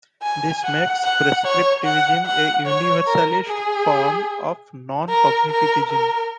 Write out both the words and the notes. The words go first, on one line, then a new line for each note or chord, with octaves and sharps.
This makes prescriptivism a universalist form of non-cognitivism.
G#5
F#5
F#5
C#5
F#5
F#5
C#5
A#4
G#4
A#4
A#4
A#4